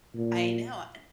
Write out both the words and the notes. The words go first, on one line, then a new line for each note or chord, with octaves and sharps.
I know an
A#2